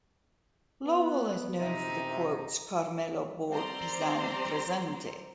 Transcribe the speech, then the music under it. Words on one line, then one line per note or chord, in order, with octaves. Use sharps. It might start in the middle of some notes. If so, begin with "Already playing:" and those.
Lowell is known for the quotes Carmelo Borg Pisani, presente!
B3
F#2 C3 D#4 E5
G3 C4 C5 D5 A#5 C6